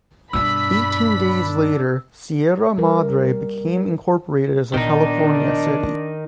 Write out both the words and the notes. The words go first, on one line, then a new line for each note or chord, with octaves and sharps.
Eighteen days later, Sierra Madre became incorporated as a California city.
G2 B2 D4 B5 E6 B6
G3 A#4
A#2 D#3 B3 D4 D#4